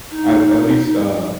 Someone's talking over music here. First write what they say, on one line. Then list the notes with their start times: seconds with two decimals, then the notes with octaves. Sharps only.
I at least, uh,
0.12 D#4